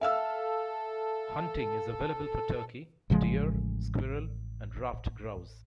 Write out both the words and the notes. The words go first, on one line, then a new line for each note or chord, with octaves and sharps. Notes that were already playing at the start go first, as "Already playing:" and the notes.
Hunting is available for turkey, deer, squirrel, and ruffed grouse.
A4 E5 F5 E6
A1 C#3 F3 G#3